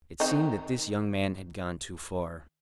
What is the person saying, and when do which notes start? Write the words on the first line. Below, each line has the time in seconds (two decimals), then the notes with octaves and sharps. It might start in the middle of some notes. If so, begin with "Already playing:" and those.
It seemed that this young man had gone too far.
0.20 D#3 C4 D#4